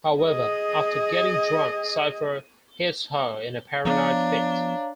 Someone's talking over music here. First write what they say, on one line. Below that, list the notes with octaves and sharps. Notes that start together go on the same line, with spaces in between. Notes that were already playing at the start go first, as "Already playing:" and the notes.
However, after getting drunk, Cypher hits her in a paranoid fit.
G#4 D#5
F3 B3 D4 C#5 F5 A#5